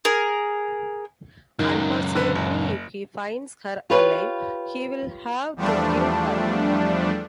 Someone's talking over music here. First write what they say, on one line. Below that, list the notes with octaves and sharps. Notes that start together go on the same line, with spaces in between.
Unfortunately, if he finds her alive, he'll have to kill her.
G#4 A#4
C#2 F#2 D#3
D3 B4
F#1
F4 G4 B4 C#5 F5
E2 F3 G3 A3 D4